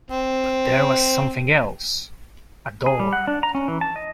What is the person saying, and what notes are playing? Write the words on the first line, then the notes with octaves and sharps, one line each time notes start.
But there was something else — a door!
C4
G#4
G3
F#5
D4
A#5
C#4
E3
A5
D#5